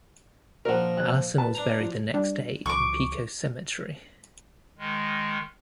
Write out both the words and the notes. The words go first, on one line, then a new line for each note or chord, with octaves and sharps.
Allison was buried the next day in Pecos Cemetery.
A#1 F3 A#4 F#5
F#6
B4 A5
D4 A#5
F3
G3 D4
C#2 E3 F#3 C#6 D6
D#3 G#3